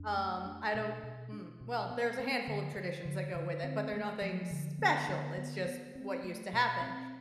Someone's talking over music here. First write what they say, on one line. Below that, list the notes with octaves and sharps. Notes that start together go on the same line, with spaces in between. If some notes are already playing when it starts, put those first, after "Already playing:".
Um, I don't hmm? Well, there's a handful of traditions that go with it, but they're nothing special, it's just what used to happen,
Already playing: F2 D4
A3
D4
B2
B2
D4
B2
B3
B3
D3
D3
D3
D3
C4
A3
F3
D3
B3
D3
B3
B3
C4
A3
B2
C4